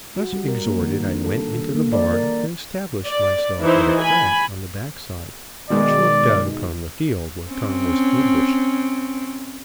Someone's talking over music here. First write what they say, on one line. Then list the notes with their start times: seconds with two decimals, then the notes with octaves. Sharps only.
Thus exhorted, I went into the barn and established myself at a crack on the back side, which looked out upon the field where Tom was ambushed.
0.17 F#4
0.33 G3
0.48 A#4
0.65 A#3
0.81 D#3
1.07 D4
1.25 A4
1.54 D#3
1.75 A#3
1.93 D5
2.13 A#4
3.07 D5
3.61 E3 D#4 E4 C5
4.02 G#5 B5
5.70 B2 D#3 G#3 D5
7.50 C4 C#4